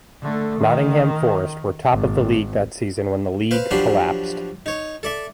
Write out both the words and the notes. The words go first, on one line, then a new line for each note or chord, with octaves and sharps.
Nottingham Forest were top of the league that season when the league collapsed.
D3 A3
D#3
G#1
B4 C5 F5
F3 F#3 D4 G4 B5 C6
D#4 C#5
A4 D5 E5